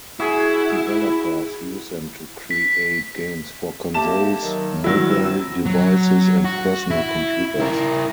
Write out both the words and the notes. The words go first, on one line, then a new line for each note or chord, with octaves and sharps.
Developers use them to create games for consoles, mobile devices and personal computers.
E4 F#4 G#4
B6
A3 A#3 G4 A5 E7
D#3 F#3
D3 D#3 F#3 E4
C3 C4 E6
F#3
F#4
E4
E4 A#4